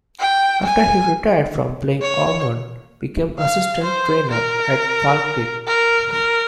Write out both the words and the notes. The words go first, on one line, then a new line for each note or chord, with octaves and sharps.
After he retired from playing, Ormond became assistant trainer at Falkirk.
G5
G#5
C#5
F5
C5
A#4
A#4
A#4